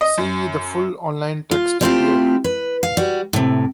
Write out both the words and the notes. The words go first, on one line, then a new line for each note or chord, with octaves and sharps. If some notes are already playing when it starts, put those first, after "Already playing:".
See the full online text here.
D#5
F#2
F4
G3 A3 C4 E4 F4 G4
B4
F5
G3 F#4
A2 C3